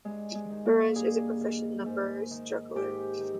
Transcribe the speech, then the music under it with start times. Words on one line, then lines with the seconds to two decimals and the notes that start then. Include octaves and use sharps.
Burrage is a proficient numbers juggler.
0.05 G2 G#3
0.35 G#3
0.50 D#3
0.65 A#3
0.95 G2 G#4
1.41 D#3
1.86 G#2
2.31 D#3
2.75 G#2 G4
3.21 D#3